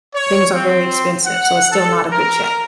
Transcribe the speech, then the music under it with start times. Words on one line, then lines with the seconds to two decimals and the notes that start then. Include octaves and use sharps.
things are very expensive. So, it's still not a good check.
0.14 C#5
0.54 C4
1.24 F#5
1.70 A4
2.11 A#4